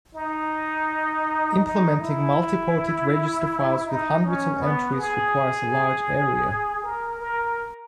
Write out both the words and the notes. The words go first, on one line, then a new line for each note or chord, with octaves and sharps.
Implementing multiported register files with hundreds of entries requires a large area.
D#4
D#4
E4
D#4
C#4
B3
G#4
A#4
A#4